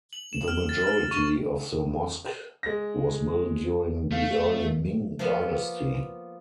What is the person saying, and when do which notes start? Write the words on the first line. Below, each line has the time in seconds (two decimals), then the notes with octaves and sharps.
The majority of the mosque was built during the early Ming dynasty.
0.13 F#7
0.33 E7
0.48 F6
0.69 A6
0.87 F6
1.11 C#6
2.63 G#3 A#6
4.12 A3 F5
5.19 F3 A#3 B3